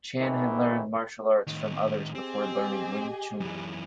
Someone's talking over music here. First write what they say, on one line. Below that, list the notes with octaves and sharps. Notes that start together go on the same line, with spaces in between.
Chan had learned martial arts from others before learning wing chun.
G#1 A2 D#3 E3
A2 D#3
C4 G4 G#4 D#5
F#2 E3